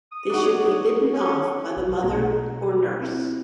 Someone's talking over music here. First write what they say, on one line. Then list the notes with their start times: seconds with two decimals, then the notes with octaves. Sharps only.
They should be bitten off by the mother or nurse.
0.12 D#6
0.30 D4 D#4 F#4
0.44 C#5
1.13 C#4
1.77 B1
2.03 B2 A3 B3 D4 A#5
3.01 C4 E4